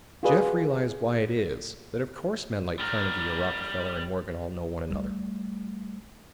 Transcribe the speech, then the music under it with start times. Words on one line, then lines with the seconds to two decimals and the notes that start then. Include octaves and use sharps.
Jeff realized why it is that of course men like Carnegie or Rockefeller and Morgan all know one another.
0.23 F4 F#4 G#4 B4 D5
2.79 G3 A#4
4.90 G3 A3